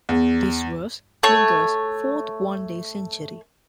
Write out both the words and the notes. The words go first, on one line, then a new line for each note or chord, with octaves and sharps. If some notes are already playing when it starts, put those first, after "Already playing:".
This was Klinger's fourth one-day century.
E2
A3 C#5